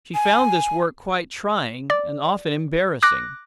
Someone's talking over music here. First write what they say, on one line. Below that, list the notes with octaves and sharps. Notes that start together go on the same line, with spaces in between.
She found this work quite trying, and often embarrassing.
G#5
D5
D6 F#6 A#6